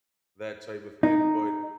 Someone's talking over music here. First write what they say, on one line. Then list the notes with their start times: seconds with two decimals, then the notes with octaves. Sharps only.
that type of thing, but,
1.03 D#4